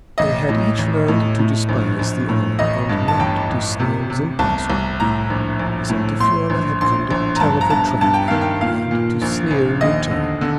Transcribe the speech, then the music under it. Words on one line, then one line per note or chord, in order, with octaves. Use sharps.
They had each learned to despise the other, and not to sneer was impossible. Miss Altifiorla had come to tell of her triumph, and to sneer in return.
A1 D#5
A2
A1
A2
A2
A#1
A#1
A2
A1 D#5
G2
A5
A1 G5
A1
C3
C3
C2 A5
C2
A2 A#5
A#1
A#1
A2
A2 C6
A#1
A#1 C6
A#1
A#5
G2 A5
A#5
G2 A5
G2 A5
G5
D#3 F5
G5
A#2 F5
A#2
A#1
A#1
D#2 D#5
D3
D3